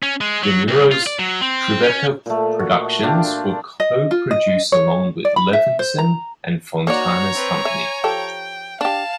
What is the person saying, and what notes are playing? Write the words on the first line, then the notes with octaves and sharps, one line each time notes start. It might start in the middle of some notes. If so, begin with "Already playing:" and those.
De Niro's Tribeca Productions will co-produce along with Levinson and Fontana's company.
C#4
G#3
F#3
C2
F4
D5
F#3
C4
C#4
A#2 A3
F#4
D4 F4 G4
D#5
F4
D#5
C#5
D5
B5
E5
C5
A#5
A#3 D#4 F#4 C#5 D5 A#5
C4 B4
E5 G#5
F3 G4 A4 G5
D4 G4 F5 A5